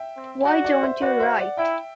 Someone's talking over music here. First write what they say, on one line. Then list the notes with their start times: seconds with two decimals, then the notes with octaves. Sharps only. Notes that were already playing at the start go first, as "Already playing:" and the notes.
Why don't you write?
Already playing: E5 G5
0.17 C4
0.45 F#4 D5 F#5
0.64 D5 F#5
0.83 C5 E5
1.02 F#4 B4 D5
1.20 C5 E5
1.39 D5 F#5
1.57 E4 E5 G5